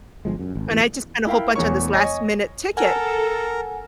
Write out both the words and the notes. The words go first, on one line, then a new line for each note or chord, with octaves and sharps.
And I just spent a whole bunch on this last minute ticket.
G1 F3 G#3
F#2
G#1
A1 E2 A#2
E4 A#4 F5 G5 B5
E1 E2 E3 A3 C#5 C#6
C#5 D#5 G#5 C#6 A#6
A4 A#4 F#5 G#5